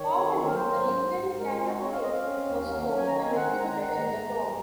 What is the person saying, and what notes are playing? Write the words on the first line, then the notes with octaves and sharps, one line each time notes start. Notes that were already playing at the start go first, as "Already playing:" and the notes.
Formerly, the Lincoln Catafalque was stored and exhibited in the tomb.
Already playing: D#3 C#5
C4
F#3
A#4
F#3 C5
G#2
G#2
G#2
G#3 A#4
F4
C4
F#4
C4 C#5
F5
C4 D#5
F5
C#4
D#2
F#3
C#4
G#5
D#3 A#5
G#5
C4
F#5
G#3 F#5
A#5
D#3 A#5
F#5
G#2 A#5
G#2
G#2